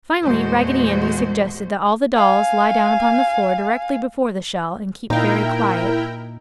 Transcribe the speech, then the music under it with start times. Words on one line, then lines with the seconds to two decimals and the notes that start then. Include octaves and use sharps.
Finally Raggedy Andy suggested that all the dolls lie down upon the floor directly before the shell and keep very quiet.
0.24 E2 A#2 G#3 A3 F#4 C5
2.16 F5 G#5
5.10 A#2 D#4 E4 A#4 F5 G5